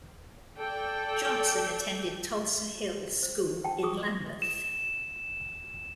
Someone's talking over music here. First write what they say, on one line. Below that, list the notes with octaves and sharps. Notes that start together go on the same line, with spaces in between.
Johnson attended Tulse Hill School in Lambeth.
A4 D5 G5
C5
G5 A5
G#4 C#6 D#6
E7